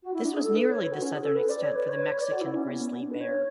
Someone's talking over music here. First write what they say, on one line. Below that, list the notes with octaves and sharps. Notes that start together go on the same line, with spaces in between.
This was nearly the southern extent for the Mexican grizzly bear.
F#4
E4
D4
G#4
A4
B4
C#5
B4
F#4
C#4
G#4
A4
B4
D5
C#5
B4
C#5
B4
C#5
D5
F#4
E4
C#4
B3
B3
B3
D4
B4
C#5